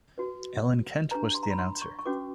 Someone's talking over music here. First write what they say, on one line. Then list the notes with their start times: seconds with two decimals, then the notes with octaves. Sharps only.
Alan Kent was the announcer.
0.18 F#4 B4
1.11 D4 G4 B4 A#5
1.34 C6
1.43 A#5
1.50 B5
1.59 C6
1.82 C#6
1.99 C#6
2.06 C#4 F#4 B4 D6